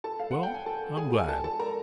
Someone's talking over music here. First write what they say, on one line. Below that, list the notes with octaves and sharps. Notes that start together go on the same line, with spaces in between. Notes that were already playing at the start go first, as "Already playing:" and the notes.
Well, I am glad.
A4 A5
F5
F#5
G5
G#5
A4 A5
G#4 G#5
G#5
A4 A5
A4 A5
A#4 A#5